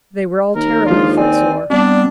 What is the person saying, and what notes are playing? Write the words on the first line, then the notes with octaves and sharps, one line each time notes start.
They were all terribly footsore.
D#2 A#4
F3 G#3 D4 F4
C4 D5 G#5
G3 B3 C4 D4 D5